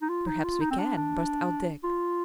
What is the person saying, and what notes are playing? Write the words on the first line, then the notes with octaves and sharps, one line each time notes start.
"Perhaps we can!" burst out Dick.
D#4
F4
D#4
F4
D#4
C4
D4
D4
F4